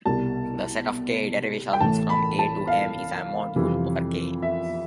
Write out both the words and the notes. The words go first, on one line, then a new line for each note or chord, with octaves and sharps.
The set of "k"-derivations from "A" to "M", is a module over "k".
C2 B2 G3 A5
G5
A1 A2 E3 A3 A5
B5
A5
F5
F2 C3 E3 G3
E5